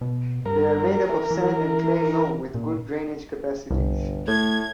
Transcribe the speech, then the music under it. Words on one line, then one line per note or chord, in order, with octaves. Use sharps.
They are made up of sand and clay loam with good drainage capacities.
B2
G2 A#4
E3
E3
A#2
G1 C2
A2 A3 G#6